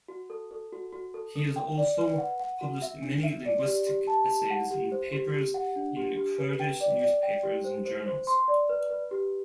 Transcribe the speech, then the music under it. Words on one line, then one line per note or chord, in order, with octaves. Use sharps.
He has also published many linguistic essays and papers in Kurdish newspapers and journals.
F#4
A4
A4
F#4
F#4
A4
A4
G5
D5
B4
F#5
F#5
F#4
E5
D4
E5
D5
G4
G4
A5
G4
F#5
G4
C5
G4
G4
F#5
D4
G4
G4
B4
G5
D5
D5
G5
G4
C5
C5
C5
C6
D5
B4
B4
G4